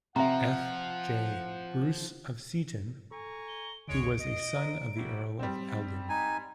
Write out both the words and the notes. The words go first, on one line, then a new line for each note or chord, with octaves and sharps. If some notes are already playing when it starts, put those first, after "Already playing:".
F. J. Bruce of Seaton, who was a son of the Earl of Elgin.
C3 F3 E5 F#5 A#5
A4 G#5 A#5 C#6
G7
B1 E2 D3 G#3 C#5 D7
B2 D#5
C5 D5 A#5
G3 E4 F#4
G3 C4
D#4 G#5